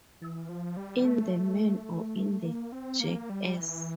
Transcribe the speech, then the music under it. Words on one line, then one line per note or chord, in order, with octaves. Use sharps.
In the man or in the jackass?
E3
F3
G3
A3
A#3
C4
A#3
G3
E3